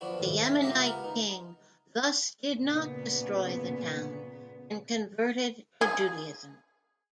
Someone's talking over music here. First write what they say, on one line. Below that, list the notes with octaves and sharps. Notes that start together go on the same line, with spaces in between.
The Yemenite king thus did not destroy the town and converted to Judaism.
F3 B3 D4 F#4
D#2 A2 C3
E5
C#2 A#3 G4 E5 F#5 D#6
B3 A#4
D#4
A#2 C#3 B3
G#4